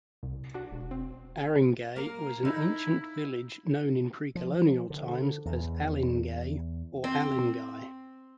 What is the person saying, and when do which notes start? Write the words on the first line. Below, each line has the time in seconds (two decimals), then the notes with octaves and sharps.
Aringay was an ancient village known in pre-colonial times as "Alingay" or "Alinguey".
0.23 C2
0.54 D4 F#4
0.71 E1
0.91 C4
1.96 A#3 A#4
2.45 D#4 E4
4.35 F3
4.90 D3
5.45 E2
7.04 C4